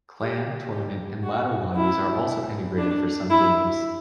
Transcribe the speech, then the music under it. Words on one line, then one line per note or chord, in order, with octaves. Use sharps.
Clan, tournament and ladder lobbies are also integrated for some games.
G4
G4
F#4
E4
D4
E4